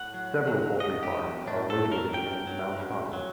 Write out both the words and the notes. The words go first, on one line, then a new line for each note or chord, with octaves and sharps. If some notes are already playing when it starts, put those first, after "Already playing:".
Several poultry farms are located in Mount Cotton.
Already playing: A2 F#5
F#3
F#3
F#3 D#5
G4
F#3
A2 D4
A4
F#3
A#4
F#2 G5
F#3
F#2
F#3